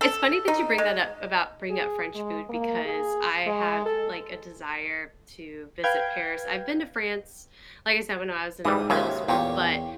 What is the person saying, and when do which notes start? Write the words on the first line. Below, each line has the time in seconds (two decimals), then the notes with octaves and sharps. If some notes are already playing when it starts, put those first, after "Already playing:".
It's funny that you bring that up about bringing up French food, because I have, like, a desire to visit Paris, I've been to France, like I said, when I was in middle school, but,
0.01 A4
0.48 D#4
0.78 G#3
1.70 G#4
2.15 G#3
2.49 A#3
2.85 G#4
3.46 G#3
3.86 A4
5.84 B4 F5 G5 G#6
8.65 G#2 E3 G3 D#6
8.90 D#2 C#3 F4 F#4 E5 G#5
9.28 E2 A#2 G4 C#5